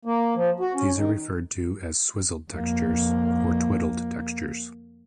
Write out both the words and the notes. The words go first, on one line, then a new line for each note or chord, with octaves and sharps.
These are referred to as "swizzled textures" or "twidled textures".
A#3
F3
F#4
C#4
D#3
F2 A#3